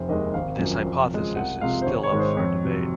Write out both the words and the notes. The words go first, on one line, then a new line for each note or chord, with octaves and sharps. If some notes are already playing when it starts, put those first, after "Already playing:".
This hypothesis is still up for debate.
Already playing: F1 C5
D#2 D#3 G#3 D#5
G#1 F5
F#2 F3
F2
C#3 F3 G#3
C2 F#5
C3 F3 G#3 F5
C5
G#1 C#5
C#5
G#2 D#3 G#3
C5
F2 C#5
C3 F#3